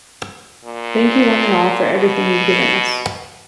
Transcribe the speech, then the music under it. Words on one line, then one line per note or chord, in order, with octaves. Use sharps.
Thank you one and all for everything you've given us.
A#2
B2